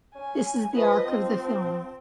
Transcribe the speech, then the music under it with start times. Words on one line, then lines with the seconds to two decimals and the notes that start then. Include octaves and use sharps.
This is the arc of the film.
0.15 C#4 G#5
0.74 F3 B4 D#5
1.07 C4